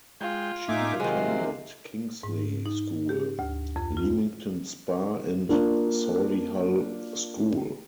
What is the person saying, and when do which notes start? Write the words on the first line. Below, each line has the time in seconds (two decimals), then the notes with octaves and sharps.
She attended Kingsley School, Leamington Spa and Solihull School.
0.21 G#3 F4 G5
0.69 A2 D#4 E5 G#5 D6
1.00 C3 D#3 F#3 G#3 C5
2.23 G#2
2.66 D#4
3.09 G4
3.39 D2
3.76 F2
3.97 F4
5.49 A#3 D4 F4